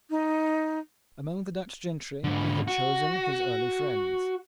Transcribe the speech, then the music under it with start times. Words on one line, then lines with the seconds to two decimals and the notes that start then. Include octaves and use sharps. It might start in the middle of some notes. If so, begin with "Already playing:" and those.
Among the Dutch gentry he had chosen his early friends.
0.10 D#4
2.24 G#2 D3
2.68 F#4